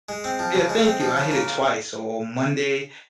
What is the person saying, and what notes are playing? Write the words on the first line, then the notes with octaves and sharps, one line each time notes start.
Yeah. Thank you. I hit it twice. So on Monday,
G#3
C4
F3
C#3
G#3
C4
F3
C#3
A#3